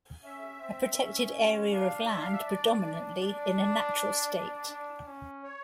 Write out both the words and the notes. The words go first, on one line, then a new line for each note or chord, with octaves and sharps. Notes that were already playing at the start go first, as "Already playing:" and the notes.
A protected area of land predominantly in a natural state.
C#4 E5
C4
C#4
D4 F5
E5
F5
E5
D5
D4 D5
D4
C#4
C#5